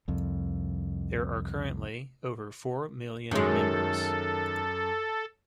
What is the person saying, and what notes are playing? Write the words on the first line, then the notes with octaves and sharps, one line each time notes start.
There are currently over four million members.
C2 F2
F#2 D#3 F#3 G#3 A4